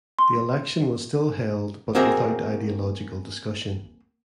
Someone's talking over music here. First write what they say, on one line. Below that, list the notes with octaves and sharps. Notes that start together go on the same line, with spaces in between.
The election was still held but without ideological discussion.
C6
A#3 C4 F#4 G#4 A#4 E5